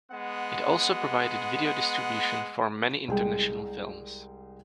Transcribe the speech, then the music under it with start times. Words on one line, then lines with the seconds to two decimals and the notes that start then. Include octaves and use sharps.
It also provided video distribution for many international films.
0.11 G#3 B3 F#5
3.08 C2 G#3 G5